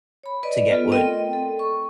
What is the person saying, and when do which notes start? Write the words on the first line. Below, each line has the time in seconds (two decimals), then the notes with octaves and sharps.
to get what
0.23 C#5 B5
0.43 B4 D5 D#5
0.70 B3 F4 A4
0.92 A3 C4 A#4 D#5 G5
1.33 A4
1.59 C#6